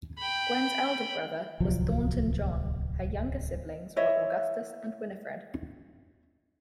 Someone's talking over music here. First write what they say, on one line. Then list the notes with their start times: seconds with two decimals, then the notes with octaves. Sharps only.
Gwen's elder brother was Thornton John; her younger siblings were Augustus and Winifred.
0.18 G5 B5
1.60 D1 C2 F3 F#3
3.96 E4 C#5 D#5 E5